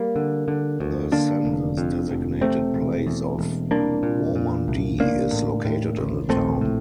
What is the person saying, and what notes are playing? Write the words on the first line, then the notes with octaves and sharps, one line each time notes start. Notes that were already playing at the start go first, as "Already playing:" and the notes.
The census-designated place of Waumandee is located in the town.
Already playing: G3 A#3
D3
D3
D2
D3 A#3 D4
F1
F2
F1
C3 A3 C4
E1
E2
E1
C2 A#3 D4
A#2
A#2
C2
A1 A#3 D4
A2
A2
A1
A#1 A3 C4
A2